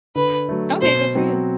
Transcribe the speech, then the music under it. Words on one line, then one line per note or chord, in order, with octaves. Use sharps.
Okay, good for you.
D3 B4
F#3 A3
B2 C5
F#3 C4 F#4